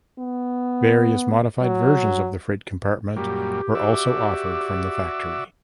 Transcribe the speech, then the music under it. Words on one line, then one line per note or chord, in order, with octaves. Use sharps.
Various modified versions of the freight compartment were also offered from the factory.
B3
F#3
F#2 A#2 G3 G4
F#4 D5 E5